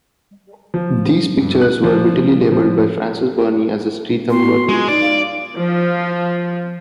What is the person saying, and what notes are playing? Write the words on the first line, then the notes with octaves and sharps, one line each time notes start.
These pictures were wittily labelled by Frances Burney as the Streatham Worthies.
F3
G2
F#6
F3
F3
B3 F#4 C6
G#3 F4
D#4 D5 D7
F5
F3